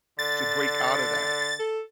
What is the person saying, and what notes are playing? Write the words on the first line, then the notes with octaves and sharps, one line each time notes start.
to break outta that,
D3 A6
A4